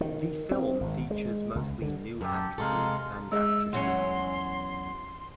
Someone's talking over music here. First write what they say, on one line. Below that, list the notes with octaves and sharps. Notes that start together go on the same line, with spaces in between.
The film features mostly new actors and actresses.
D#3
C4
G#1
G#3
C#2
D3
F#2 G4 A4
C3 G#3 A4 F5 A#5 C6
G#3 G#4 D#5 E6
E2 F#3 C#4 C6